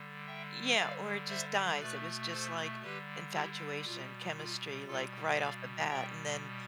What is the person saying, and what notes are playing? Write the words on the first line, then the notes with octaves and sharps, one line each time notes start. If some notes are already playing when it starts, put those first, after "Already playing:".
Yeah, or it just dies, it was just, like, infatuation, chemistry, like, right off the bat, and then
Already playing: D3 G3
E5 G5
D3 G3 D5 F5
C5 E5
B2 A3 B4 D5
A4 C5
D3 G3 G4 B4
E4 G4
B2 G3 F4
F4
B2 G3 F4 A4
D5 F5
B2 G3 E5 G5